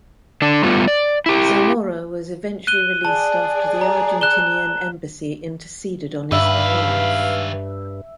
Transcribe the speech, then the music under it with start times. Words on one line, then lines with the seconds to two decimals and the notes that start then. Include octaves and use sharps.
Zamora was eventually released after the Argentinian Embassy interceded on his behalf.
0.42 D3 D4
0.63 G3 A3 B3 F4
0.88 D5
1.26 E4 G4
2.67 F#6 D#7 G7
3.05 G#4 D5 A5
3.81 A#5
4.21 F#6 E7 G7
6.32 G2 D#3 B4 E5 F5